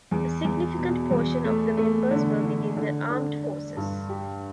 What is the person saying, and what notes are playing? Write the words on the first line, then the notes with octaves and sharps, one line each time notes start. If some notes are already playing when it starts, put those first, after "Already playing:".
A significant portion of the members were within the armed forces.
E2
E2
B2
E2
A3
A3
D3
D3
D3
D3
D4
G2
G4